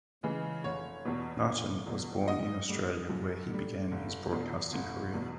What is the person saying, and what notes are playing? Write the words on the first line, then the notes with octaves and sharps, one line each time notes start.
Martin was born in Australia where he began his broadcasting career.
C#3 E3 G#3
F1 C#5
E2 B2
F1
E2 B2
F#2 D#5
D3 G3
F#2
D3 G3
F1
E2 B2
F1
E2 B2